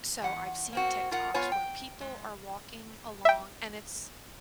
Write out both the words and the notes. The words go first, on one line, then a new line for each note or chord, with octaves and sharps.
So, I've seen TikToks where people are walking along, and it's
E2 F#5
A#3 C4 F#4
F4 A#4 F#5
B3 F4 C#5 G#5
G5
G#3
E5 G5